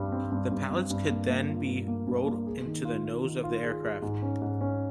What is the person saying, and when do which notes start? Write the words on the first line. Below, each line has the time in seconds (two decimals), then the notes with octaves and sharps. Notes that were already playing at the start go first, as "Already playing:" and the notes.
The pallets could then be rolled into the nose of the aircraft.
Already playing: G2 G3 C4
0.12 C4
0.32 G2
0.51 G2
0.71 C4
0.90 G2
1.10 A#3
1.29 A#3
1.49 F4
1.68 G2
1.88 A#3
2.07 G2
2.26 A#3
2.46 G#4
2.66 D#3
2.85 F4
3.05 F4
3.24 D#3
3.44 F4
3.63 G#4
3.82 G#4
4.02 G#2
4.22 C#4
4.42 G#2
4.61 C#4